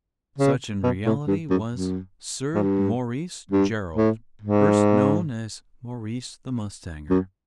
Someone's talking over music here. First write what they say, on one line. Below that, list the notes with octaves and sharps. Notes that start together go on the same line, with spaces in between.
Such, in reality, was Sir Maurice Gerald--erst known as Maurice the mustanger!
C#3
B2
A2
G2
F#2
F#2
G#2
G2
G2
A2
G#2
F#2